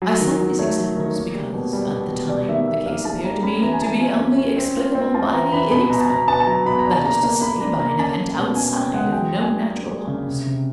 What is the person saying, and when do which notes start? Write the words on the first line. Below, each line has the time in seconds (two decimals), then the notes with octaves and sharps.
I cite these examples because, at the time, the case appeared to me to be only explicable by the inexplicable,--that is to say, by an event outside of known natural laws.
0.02 F#3
0.20 D#3
0.40 F#3
0.59 A3 C#5
0.78 F#3
0.97 D#3
1.16 A#3
1.35 G3
1.54 B2
1.73 G3
1.92 B2
2.11 B2
2.29 G3 D5
2.48 D#3 E5
2.68 D#3 E5
2.86 A#3 F5
3.05 A#3 A5
3.24 G3 A#5
3.43 C#4 B5
3.62 E3 A#5
3.72 G#5
3.81 E3 A5
4.00 F4 G#5
4.19 C#4
4.38 C#4
4.57 C4
4.76 F4
4.95 C4
5.14 F4 A5
5.33 E3 A#5
5.52 E3 B5
5.71 B2 B5
5.90 B2 A#5
6.01 A5
6.09 B2 A#5
6.28 B3 A5
6.40 A5
6.46 F#3 A#5
6.66 B2 B5
6.79 A#5
6.85 D4
6.92 A5
7.04 A#3 A#5
7.23 A#3
7.42 A#3 B5
7.60 D4 A#5
7.79 A#3 A#5
7.98 C#4 A5
8.18 C#4
8.37 B2
8.55 C#4 G#5
8.75 C#4 G5
8.93 G#3 F#5
9.13 F#3 G5
9.32 F#3
9.41 G#5
9.50 D4
9.70 A#3
9.88 D4
10.07 C#3
10.27 C3
10.46 C3